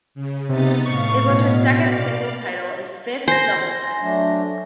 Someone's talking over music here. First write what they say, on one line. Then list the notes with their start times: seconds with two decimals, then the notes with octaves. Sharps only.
It was her second singles title and fifth doubles title.
0.15 C#3
0.49 C3 B3 D#4 A6
0.85 A2 F5 C#6
1.29 B2
1.84 D5 F5
3.28 C5 G#5 A#6
4.02 F#3 A3 D4